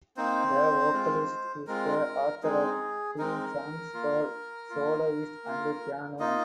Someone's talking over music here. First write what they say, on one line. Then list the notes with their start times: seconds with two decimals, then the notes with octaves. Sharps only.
The vocalist is the author of two songs for soloist and piano.
0.17 A#3 C4 D#4 C5
0.93 G#3 C4 F4
1.67 G#3 C4 F4 A#4
2.43 G#3 C4 D#4 G#4
3.18 G#3 C4 D#4 A#4
3.94 A#3 F4
4.70 A#3 F4
5.45 A#3 F4
6.20 A#3 D#4 F4 D#5